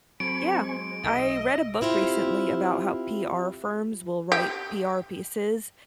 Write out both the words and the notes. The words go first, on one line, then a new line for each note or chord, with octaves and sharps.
Yeah. I read a book recently about how PR firms will write PR pieces
F#3 C4 A4 G#5 B5 C#6 D7
G#3
B1 D#5 E5
C4 E4 F4 G4
G4